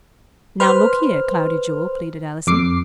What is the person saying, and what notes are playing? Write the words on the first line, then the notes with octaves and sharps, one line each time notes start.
"Now, look here, Cloudy Jewel," pleaded Allison.
B4 C5 F6
F2 D6 C7